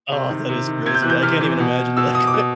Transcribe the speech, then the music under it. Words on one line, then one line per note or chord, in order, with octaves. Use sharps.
Oh, that is crazy. I can't even imagine like,
C3
D#3
C3
D#3
C3 G#6
G6
E3 F#6
G6
C3 F6
E3
B2
B2 E6
D#6
D6
B2 D#6